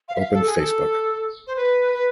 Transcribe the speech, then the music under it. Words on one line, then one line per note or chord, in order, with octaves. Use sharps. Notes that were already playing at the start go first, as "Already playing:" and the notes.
Open Facebook.
F5
E5
F5
A4
G#4
A4
C5
B4
B4